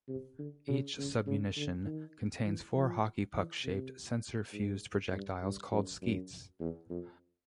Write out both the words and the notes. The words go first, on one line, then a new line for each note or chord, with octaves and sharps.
Each submunition contains four hockey-puck-shaped sensor-fused projectiles called Skeets.
C3
D3
C#3
C#3
C#3
D3
D#3
E3
F3
E3
C3
G#2
G2
G2
F#2
F#2
E2
F2